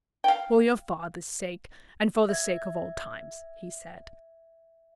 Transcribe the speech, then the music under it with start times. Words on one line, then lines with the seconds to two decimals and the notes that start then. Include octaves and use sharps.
"For your father's sake, and for the sake of old times," he said.
0.24 F5 G5
2.29 E5 G#6